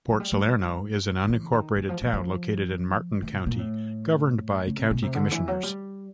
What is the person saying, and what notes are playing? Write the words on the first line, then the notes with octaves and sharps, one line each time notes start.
Port Salerno is an unincorporated town located in Martin County, governed by County Commissioners.
F#3
G3
G3
E3
D#3
E3
F3
F3
F3
E3
A#2
A#2
A2
C#3
C3
B2
C3
D3
E3
F#3
G3